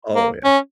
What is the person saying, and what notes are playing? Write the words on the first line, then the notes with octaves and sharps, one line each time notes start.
Oh, yeah.
A#3
C#4